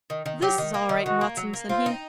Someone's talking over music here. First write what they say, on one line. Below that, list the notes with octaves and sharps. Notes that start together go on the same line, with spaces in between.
"This is all right, Watson," said he.
D#3
D#3
F#3 G4
D#3
A#3
D#3
D#3 F#4
A#3
F#3
A#3
C4 F4
D#4